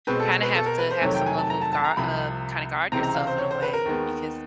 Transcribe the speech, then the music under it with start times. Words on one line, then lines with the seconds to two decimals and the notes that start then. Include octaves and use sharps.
kinda have to have some level of guar uh, kinda guard yourself in a way because,
0.07 B2 G#3 C4 B4
0.20 A4
0.43 B4
0.55 A4
0.66 A#4
0.78 B4
0.90 C5
1.02 F2 C3 D#3 F#3 A3 C#5
1.14 G5
1.26 G#5
1.38 A5
1.50 A#5
1.61 A5
1.73 A5
1.84 A#5
1.97 C2 C3 F3 B5
2.92 C#2 C3 E3 G#3 C4 A#5
3.03 A#5
3.14 F5
3.27 C5
3.38 C#5
3.51 C5
3.62 B4
3.73 A#4
3.86 D#2 D#3 G#3 B3